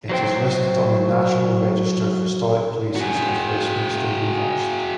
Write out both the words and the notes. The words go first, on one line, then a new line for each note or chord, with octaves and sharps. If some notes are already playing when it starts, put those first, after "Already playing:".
It is listed on the National Register of Historic Places as Westminster University.
F#3 C5 G5
F#4 G#4